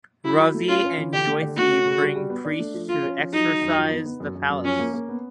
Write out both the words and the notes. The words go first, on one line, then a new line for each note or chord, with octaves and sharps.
Ravi and Jyothi bring priests to exorcise the palace.
F#3 E4
F#3
A3
C#4 F4
C#4
E3
D3 G4
A3
D3
A3 F#4
C#4
C#3
G3
G3
B3
D4
A3
F3
F3 F4
C#4
F3
F#3 D#4
F#3
F#2
F3
B3
B3
F#2
F#2
F#2
F3 C#4
A#3
A#3
B3